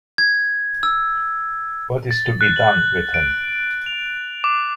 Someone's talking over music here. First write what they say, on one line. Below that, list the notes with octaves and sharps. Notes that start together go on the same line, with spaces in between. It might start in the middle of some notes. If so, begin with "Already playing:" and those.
What is to be done with him?
G#6
E6
A6
F#6
F#7
D7
F7
D6